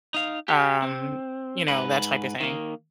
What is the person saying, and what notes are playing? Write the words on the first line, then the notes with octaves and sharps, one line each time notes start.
um, you know, that type of thing,
D#4 F5
G4
C4
G#2 B4
D#3 A#3